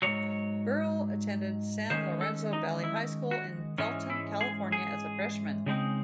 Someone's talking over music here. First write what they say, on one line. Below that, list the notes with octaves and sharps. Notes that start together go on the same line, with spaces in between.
Burrell attended San Lorenzo Valley High School in Felton, California, as a freshman.
G#2 D#3 F#3 C#5
D#3 G#3 C#4 C5
A4
D#4
E4
F#4
G#2 E3 G#3 C#4
E4
G#4
G#4
C#3 G#3 C4 D#4